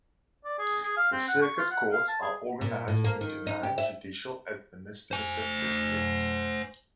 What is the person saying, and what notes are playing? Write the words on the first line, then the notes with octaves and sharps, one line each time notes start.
The circuit courts are organized into nine judicial administrative districts.
D5
G#4
G#4
F5
C4
F#5
C#6
F4
F#5
F5
A5
G#4
A#2
A2
A#3
D#3
D#4
G4
E5
C5 G#5